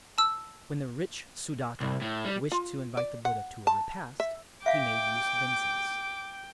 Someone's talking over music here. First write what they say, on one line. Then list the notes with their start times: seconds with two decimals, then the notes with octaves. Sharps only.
When the rich Sudatta wished to invite the Buddha to a repast, he made use of incense.
0.18 A5 E6
1.81 C2
2.02 A2
2.25 G3
2.52 F4
2.97 D5
3.25 F#5
3.67 A5
4.20 E5
4.66 E5 F5 G5 D6